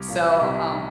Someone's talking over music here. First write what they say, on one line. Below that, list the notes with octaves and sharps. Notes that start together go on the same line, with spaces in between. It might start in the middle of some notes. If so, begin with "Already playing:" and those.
So, um
Already playing: C2
A#2
C2